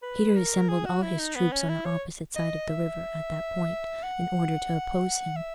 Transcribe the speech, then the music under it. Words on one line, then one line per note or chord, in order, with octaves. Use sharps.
Peter assembled all his troops on the opposite side of the river at that point in order to oppose him.
B4
A#4
G#4
F#4
E4
D#4
B3
C#4
E4
C#5
D#5
E5
F#5
E5